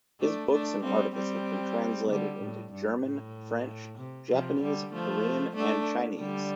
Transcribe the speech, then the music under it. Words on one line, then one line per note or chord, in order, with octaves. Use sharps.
His books and articles have been translated into German, French, Japanese, Korean and Chinese.
A3 D4
A3 D4
G3 C4
G3 C4
D3 G3
A2
G2
A2
C3
C3 F3
D3 G3
F3 A3
A3 D4
D3 G3